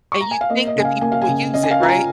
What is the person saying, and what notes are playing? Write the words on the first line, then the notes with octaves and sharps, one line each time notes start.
and you think that people will use it, right?
C#6
A#5
G#5
F5
A#3 D#5
D#5
C#3 G#5
F5
A#3 G#5
F5
G#5
C#3
C#4 D#5
G#5
F5
F4 A#5
G#5